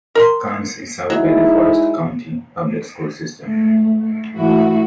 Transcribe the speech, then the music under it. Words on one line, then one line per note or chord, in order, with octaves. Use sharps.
Carnes is served by the Forrest County Public School System.
A#4 C6
F#3 G#3 D#4 E4
G#2 A3
G#2 E3 A3 E4 F#4